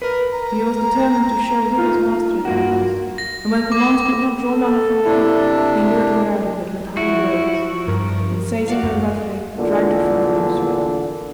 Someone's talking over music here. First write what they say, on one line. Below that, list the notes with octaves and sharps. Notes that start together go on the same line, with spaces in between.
He was determined to show who was master in that house, and when commands would not draw Nana from the kennel, he lured her out of it with honeyed words, and seizing her roughly, dragged her from the nursery.
A#4 B4
A#5
D#4 F4
G2 A#3 F4 F#4
A#6
D6
A4
C3 D4 E4
F3 E4 F#4
G2 A#4
F#4 D5 F5
F#2 G3
E2 A#2 D3 D4